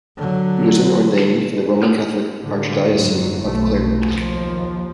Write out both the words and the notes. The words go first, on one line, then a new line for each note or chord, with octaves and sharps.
He was then ordained for the Roman Catholic Archdiocese of Clermont.
D3 F#3
A2 D3
F#1 G#2 F#3
B1 A3
D#2 F3